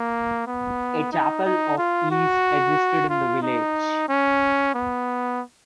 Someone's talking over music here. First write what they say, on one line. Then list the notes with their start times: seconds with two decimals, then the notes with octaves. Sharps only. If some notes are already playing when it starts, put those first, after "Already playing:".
A chapel of ease existed in the village.
Already playing: A#3
0.47 B3
1.12 D#4
1.45 D#4
1.78 F4
2.11 F#4
3.09 F4
3.42 D#4
4.09 C#4
4.74 B3